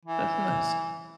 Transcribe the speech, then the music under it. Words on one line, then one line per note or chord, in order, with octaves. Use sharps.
That's nice.
E3